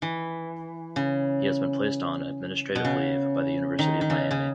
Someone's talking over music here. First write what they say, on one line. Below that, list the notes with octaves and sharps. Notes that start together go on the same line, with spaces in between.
He has been placed on "administrative leave" by the University of Miami.
E3
C#3
B2
C#3
D#3
D#3
C#3
C#3